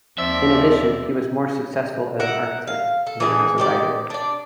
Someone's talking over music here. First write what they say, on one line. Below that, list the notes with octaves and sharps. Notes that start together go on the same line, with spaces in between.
In addition, he was more successful as an architect than as a writer.
D#2 F3 C4 D5 E5 E6
A#4 E5 F#5
F5
A4
E3 D4 G#4 A4
D#3 G4 D5
D4 D5